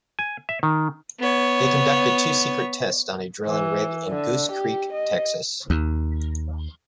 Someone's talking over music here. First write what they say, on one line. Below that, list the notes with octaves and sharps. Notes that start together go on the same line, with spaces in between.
They conducted two secret tests on a drilling rig in Goose Creek, Texas.
G#5
E5
D#3
B3 C#5
E3
D3
G4
D#5
D#2